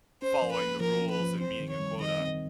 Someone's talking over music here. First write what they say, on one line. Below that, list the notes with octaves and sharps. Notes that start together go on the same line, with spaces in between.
following the rules and meeting a quota.
C#4 C5
F3
B4
A#3
F3 A#4
C#4
B4
F3
C4 C5
D#3
C#5
G3
D#3 D#5
C4